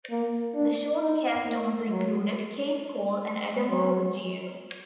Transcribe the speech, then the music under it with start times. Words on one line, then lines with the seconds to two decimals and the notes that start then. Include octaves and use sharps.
The show's cast also included Keith Cole and Adamo Ruggiero.
0.10 A#3
0.55 D4
1.00 D#4
1.45 A#3
1.90 F#3
3.70 F#3